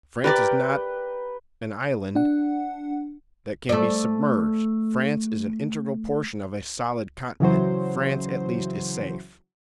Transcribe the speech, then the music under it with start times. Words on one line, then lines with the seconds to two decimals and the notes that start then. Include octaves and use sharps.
"France is not an island that can be submerged; France is an integral portion of a solid continent. France, at least, is safe."
0.24 G4 A#4 B4 D5 G5 A#5
2.15 D4 F#5
3.69 A3 D5
7.40 C#3 E3 F#3 C5